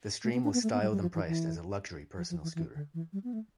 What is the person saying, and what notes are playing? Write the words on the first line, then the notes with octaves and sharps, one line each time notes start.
The Stream was styled and priced as a luxury personal scooter.
A3
B3
D4
B3
A3
B3
G3
G3
F3
E3
E3
F3
F3
E3
E3
D3
E3
G3
B3
A3